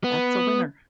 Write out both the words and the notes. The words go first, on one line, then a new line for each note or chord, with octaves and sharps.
That's a winner!
B3